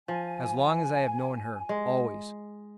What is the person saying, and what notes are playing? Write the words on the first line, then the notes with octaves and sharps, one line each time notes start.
"As long as I have known her--always."
F3 G#5
G#3